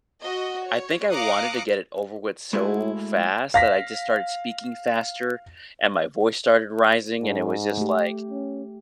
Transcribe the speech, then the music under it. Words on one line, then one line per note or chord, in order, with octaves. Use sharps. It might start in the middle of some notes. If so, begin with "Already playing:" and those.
I think I wanted to get it over with so fast that I just started speaking faster, and my voice started rising, and it was just like,
F#4 D#5
C#5
F5 A#5 D6 D#6 F#6 C#7
G#3 A3 E4 F#4 G#4
F5 A#6 B6
G#2
A3 G4
C#4